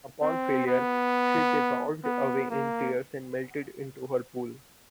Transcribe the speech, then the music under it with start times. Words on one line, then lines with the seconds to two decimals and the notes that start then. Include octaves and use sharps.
Upon failure, she dissolved away in tears and melted into her pool.
0.22 C4
0.67 B3
2.04 B3
2.50 A#3